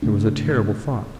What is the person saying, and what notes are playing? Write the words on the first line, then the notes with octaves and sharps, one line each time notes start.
It was a terrible thought.
G#2 C#3 A3 D4